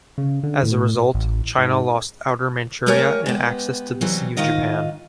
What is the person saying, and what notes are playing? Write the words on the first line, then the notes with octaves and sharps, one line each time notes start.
As a result, China lost Outer Manchuria and access to the Sea of Japan.
C#3
D3
A2
A1
G#2
A3 A#3 G4 A#4 C#5 G#5
G#3 B3 G4
C3 E3 F#3 G3
G#2 D#3 F4 D#5